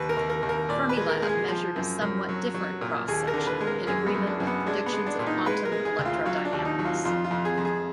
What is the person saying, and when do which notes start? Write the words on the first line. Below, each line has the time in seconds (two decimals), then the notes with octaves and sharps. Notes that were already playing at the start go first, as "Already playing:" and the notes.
Fermilab measured a somewhat different cross section, in agreement with predictions of quantum electrodynamics.
Already playing: D#2 B4
0.09 A#4
0.17 D#2
0.30 A#4
0.42 D#2
0.49 A#4
0.69 A#2 D5
0.89 B4
0.96 G#3
1.09 A#4
1.22 G#3
1.29 G#4
1.48 F3
1.76 F#2
2.01 F#2
2.29 F#3
2.54 F#3
2.81 A#2
3.08 D#2 G#4
3.28 A#4
3.34 D3
3.47 B4
3.61 G#3
3.67 A#4
3.87 F#2 G#4
4.06 B3
4.14 F#2
4.27 D4
4.40 F#2
4.47 B3
4.67 G#3 D4
4.86 B3
4.93 G#3
5.06 D4
5.19 A#2
5.26 D#4
5.46 G#3 B4
5.65 A#4
5.72 G#3
5.85 G#4
5.99 D2
6.05 F4
6.25 F#3 F4
6.45 D4
6.53 D#2
6.65 D#4
6.79 F#3
6.85 F4
7.05 F2 F4
7.24 F4
7.31 F2
7.45 G#4
7.58 F2
7.65 G#4